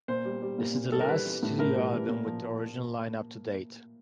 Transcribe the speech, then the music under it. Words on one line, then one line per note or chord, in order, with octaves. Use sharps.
This is the last studio album with the original lineup to date.
A#2 C5
G3
G3
A#2
A#2
G3 A4
A#4
G3 B4
E3
A2
A2 A#4
G3
E3
A#2
F3